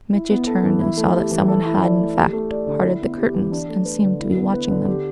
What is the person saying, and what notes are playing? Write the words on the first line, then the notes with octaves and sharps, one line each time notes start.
Mitya turned, and saw that some one had, in fact, parted the curtains and seemed to be watching them.
E4
B3
A4
E3
E4
A3
G4
E3
A4
E4
D5
A3
G4
A3
D5
D3
E4
B3
G4
E3
D4
A3
B4
D3
E4
B3
B4
D3
G4